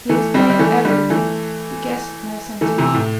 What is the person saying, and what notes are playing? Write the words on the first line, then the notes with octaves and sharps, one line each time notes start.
He explained everything; he guessed my sentiments.
E3 A3
G3 C4
G3
E3 A3
D3 G3
E3 A3
E3 A3
C3 E3
A2